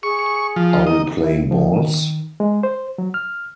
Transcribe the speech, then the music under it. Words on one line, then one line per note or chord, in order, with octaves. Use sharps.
Are we playing balls?
G#4 C#6
F3
D#4 D#5
E4
F3
D#3
G#3
C5
F#3
F6